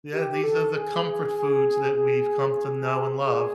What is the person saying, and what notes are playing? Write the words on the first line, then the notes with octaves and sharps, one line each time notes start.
Yeah, these are the comfort foods that we've come to know and love.
G4
A4
G#4
G#4
G#4
G#4